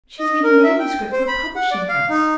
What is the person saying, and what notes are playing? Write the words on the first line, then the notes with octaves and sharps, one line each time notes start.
She is reading manuscript for a publishing house.
D#5
A#4
E5
G5
C5
B5
F#5
D5
F5
D#4